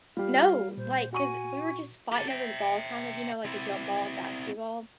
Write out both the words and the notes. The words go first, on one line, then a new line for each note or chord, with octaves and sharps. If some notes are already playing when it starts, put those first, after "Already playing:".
No. Like 'cause we were just fighting over the ball, kind of, you know, like a jump ball in basketball.
G3 F4 G4 F5
A#2 C5
F#4 G#5 C#6 D#7
G4 A4
E5 G5
C4 E4